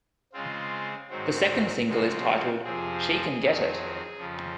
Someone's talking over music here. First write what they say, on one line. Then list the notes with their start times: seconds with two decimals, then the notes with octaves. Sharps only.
The second single is titled "She Can Get It".
0.33 C#3 G#3 C4 F4
1.10 G#2 D#3 F#3 C4 F#4
1.87 C#3 F3 G#3 C4 F#4
2.64 F2 C3 F3 C4 G#4
3.40 F2 D#3 F#3 C4
4.17 F2 C#3 F3